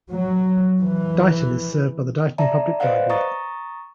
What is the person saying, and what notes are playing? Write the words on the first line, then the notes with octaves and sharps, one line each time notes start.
Dighton is served by the Dighton Public Library.
F#3
E3
D5 E5 A5 A#5
B4 C5 D5 D#5 F5 F#5
A#5 C#6 D#6 A6